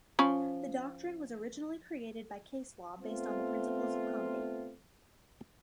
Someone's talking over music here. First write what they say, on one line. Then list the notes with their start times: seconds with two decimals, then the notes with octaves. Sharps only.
The doctrine was originally created by case law based on the principles of comity.
0.19 F3 C#4 B5
2.99 A3 B3 C4 F4